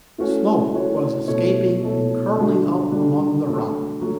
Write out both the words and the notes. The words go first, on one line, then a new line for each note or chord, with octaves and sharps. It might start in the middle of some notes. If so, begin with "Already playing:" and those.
Smoke was escaping and curling up among the rocks.
E3 A3 C#4 F#4 C#5
E3 A3 C#4 F#4 C#5
B2 A3 E4 A4 C#5
B2 A3 E4 A4 C#5
D3 G3 D4 F#4
D3 G3 D4 F#4
F#3 A3 D4 A4
F#3 A3